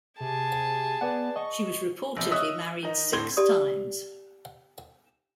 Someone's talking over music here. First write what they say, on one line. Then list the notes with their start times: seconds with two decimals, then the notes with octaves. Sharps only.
She was reportedly married six times.
0.20 C3 G#4 A5
1.01 B3 B4 D5 F#5
1.36 D#5 C#6
2.17 A#1 C3
2.31 C#5 D#5 E5 D#6 F#6
2.83 D#3 D#4
3.13 A2 D3 C4 C6 G#6 G7
3.37 G4 D5 D#6